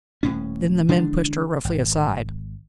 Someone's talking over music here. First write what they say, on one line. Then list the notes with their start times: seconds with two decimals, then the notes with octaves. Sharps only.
Then the men pushed her roughly aside.
0.23 D#1 A2 C#4
0.89 D3 E3 G#3 D4
1.65 G#1